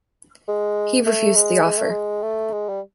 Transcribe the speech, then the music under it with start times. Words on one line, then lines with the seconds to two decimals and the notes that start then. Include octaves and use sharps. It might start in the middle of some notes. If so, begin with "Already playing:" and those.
He refused the offer.
0.48 G#3
1.06 A3
1.35 G#3
1.65 G#3
1.77 A3
1.90 G#3
2.22 A3
2.52 G#3
2.69 G3